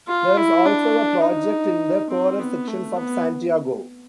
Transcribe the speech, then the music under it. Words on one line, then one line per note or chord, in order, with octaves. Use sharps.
There is also a project in the poorer sections of Santiago.
F4
E4
D4
D#4
C4
B3
A3
B3